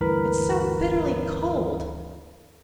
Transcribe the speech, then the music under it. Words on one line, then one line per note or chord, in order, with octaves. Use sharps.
It's so bitterly cold.
D2 G2 E3 A#4 B4 B5